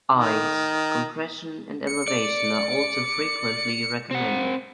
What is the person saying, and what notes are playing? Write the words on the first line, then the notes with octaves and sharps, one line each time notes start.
Ice, compression and elevation are also frequently recommended.
D#3
C#7
D5
C4 F#5